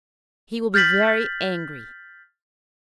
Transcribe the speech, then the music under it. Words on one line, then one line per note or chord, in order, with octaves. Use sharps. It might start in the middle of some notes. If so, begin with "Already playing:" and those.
"He will be very angry."
F6 G6 A6 B6 F#7